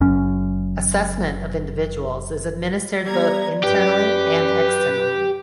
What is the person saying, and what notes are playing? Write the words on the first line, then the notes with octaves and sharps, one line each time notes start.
Assessment of individuals is administered both internally and externally.
F#1 F#2 C#4
G3 B3 D5 A#5 G#6
F#2 G4 B4